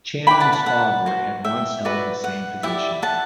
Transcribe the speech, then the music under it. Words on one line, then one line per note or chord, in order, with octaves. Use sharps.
Channon's father had once held the same position.
E4 B4 D5 G5 B5
F#5 A5
F#5 A5
F#5 A5
F#4 C5
E5 G5
F#4 B4 D5
F#5
E4 G4 D5 E5 G5
F#5 A5